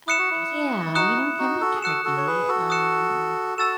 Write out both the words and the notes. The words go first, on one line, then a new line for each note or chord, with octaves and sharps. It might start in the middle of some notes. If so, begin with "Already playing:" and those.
Uh, yeah, you know, it can be tricky, um,
E4 D#6 F#6 C#7 E7
F#4
E4
D#4 F#4 D#6 F#6 C#7 E7
E4
D#4 F#4
F#4 A4
G#4
F#4 A4 D#6 F#6 C#7 E7
F#4 A4
C#5
G#4 B4
F#4 A4
D#6 F#6 C#7 E7
F#4 A4 A5 E6 A6 E7